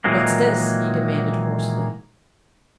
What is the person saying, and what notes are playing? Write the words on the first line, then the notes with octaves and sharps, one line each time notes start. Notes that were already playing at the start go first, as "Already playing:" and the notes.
"What's this?" he demanded hoarsely.
A#2 D#3 E3 F#3 G#3 A#3